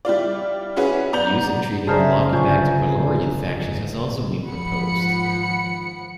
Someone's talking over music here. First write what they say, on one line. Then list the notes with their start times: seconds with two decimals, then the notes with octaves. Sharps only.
Use in treating "Helicobacter pylori" infections has also been proposed.
0.05 G3 E4 F4 D5
0.76 C#4 E4 F#4 G#4 B4
1.13 B3 D5 A#5 G6 F7
1.87 F#1 G#4 C5 D5 E5 A5 A#5 F6
2.33 G1 F4 G#5 C#6 G6
4.45 G#1 F3 F#5 B5 C#7